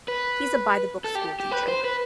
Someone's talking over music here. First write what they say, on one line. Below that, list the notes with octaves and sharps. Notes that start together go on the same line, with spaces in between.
He's a by-the-book school teacher.
B4
A4
G4
G4
B4
C5
B4